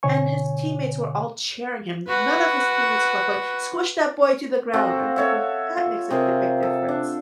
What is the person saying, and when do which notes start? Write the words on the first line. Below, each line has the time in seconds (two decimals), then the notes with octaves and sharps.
and his teammates were all cheering him. None of his teammate's look like, "Squish that boy to the ground." and it's look like, that makes a the big difference.
0.03 B2 D3 C#5 G#5 C#6
2.07 F#4 B4
4.74 C4 F#4 A4 F5
5.16 A4 C#5 E5
5.77 F4
6.11 C3 G#4 A#4
6.63 A4
6.89 D4